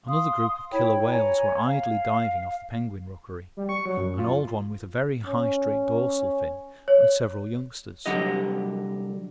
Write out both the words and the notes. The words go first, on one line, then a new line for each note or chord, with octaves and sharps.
Another group of killer whales were idly diving off the penguin rookery; an old one with a very high straight dorsal fin and several youngsters.
F5 C6 D#6
E4 C#5 G5 B5
C#5 G#5 A#5
F5
G3
C#6
F#3
F#2
F4
C#4
C#5
C2 G2 D3 F#3 G4 D#5